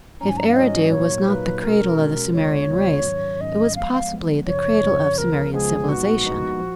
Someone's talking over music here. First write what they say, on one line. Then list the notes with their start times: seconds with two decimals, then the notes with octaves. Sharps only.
If Eridu was not the "cradle" of the Sumerian race, it was possibly the cradle of Sumerian civilization.
0.21 G#2 F#3 C#4 A#5
0.29 G#5
0.37 A#5
0.48 F5
0.56 G#2 F#3 C#4 D#5
0.92 A#2 F#3 A#3 D#4 C#5
1.28 A#2 F#3 A#3 D#4 B4
1.63 B2 G#3 C#4 F#4 A#4
1.98 B2 G#3 C#4 F#4
2.34 D#2 C#3 G#3 B3 F4 C#5
2.69 D#2 C#3 G#3 B3 F4
3.04 G#2 D#3 F#3 C#4
3.40 G#2 D#3 F#3 C#4 D#5
3.75 F3 G#3 B3 F5
3.93 F5
4.11 F3 G#3 B3
4.46 F#2 C#3 F3 C#5
4.82 F#2 C#3 F3
5.18 C#2 C#3 F3 G#3 B3 A#4
5.54 C#2 C#3 F3 G#3 B3 G#4
5.89 A#1 A#2 G#3 B3 D#4 F#4
6.25 A#1 A#2 G#3 B3 D#4
6.59 F3